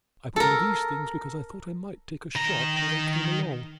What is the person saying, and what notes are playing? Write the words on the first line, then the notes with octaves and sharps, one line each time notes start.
I put on these things because I thought I might take a shot as I came along.
A4 A#4
D#3 A#5